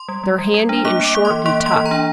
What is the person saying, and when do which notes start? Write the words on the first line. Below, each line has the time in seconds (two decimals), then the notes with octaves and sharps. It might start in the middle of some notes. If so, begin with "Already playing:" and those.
They're handy and short and tough.
Already playing: C6
0.08 G3
0.24 G3
0.38 G3
0.54 G3
0.69 D4
0.85 A#3 D6
1.00 A#3
1.05 D6
1.15 A#3
1.25 C6
1.30 E3
1.46 A#3 C6
1.60 A#3
1.66 C6
1.76 E3
1.85 A#5
1.91 D4